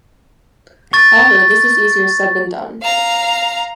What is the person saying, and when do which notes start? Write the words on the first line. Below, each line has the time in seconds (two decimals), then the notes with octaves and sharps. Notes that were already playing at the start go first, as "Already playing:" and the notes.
However, this is easier said than done.
0.93 C#6 A6
2.82 F5 A#5